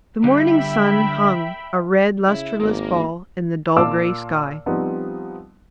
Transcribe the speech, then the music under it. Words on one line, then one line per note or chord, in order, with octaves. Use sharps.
The morning sun hung, a red, lustreless ball, in the dull grey sky.
D3 G3 E5 G5 B5
C#3 E4
G#1 A#3
A#2 F5 A5 D6 E6
F3 G3 B3 C4 D#4